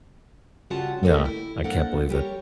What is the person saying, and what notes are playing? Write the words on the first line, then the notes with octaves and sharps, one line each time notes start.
yeah. I can't believe that
C#3 G3 F4 F#4 F#5 A5
A2 D3 A3 A#3 G4
E4
A#3 D4 A4 C5 F#5
G3 G4 A#4 C#5